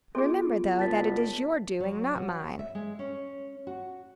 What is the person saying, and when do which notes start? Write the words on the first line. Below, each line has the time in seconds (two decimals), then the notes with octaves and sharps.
Remember, though, that it is your doing, not mine.
0.15 B3 F4 G#4 A4 C6
0.78 F#1 A5 A6 B6
1.80 F#3
2.16 F#4
2.59 E5
2.75 G#3
2.99 C#4
3.67 F#4